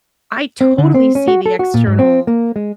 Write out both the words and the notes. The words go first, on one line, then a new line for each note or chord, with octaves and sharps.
I totally see the external
C4
D3
C4
C#4
F#4
A4
F#4
A#2
G#2
C4
A#3
G#3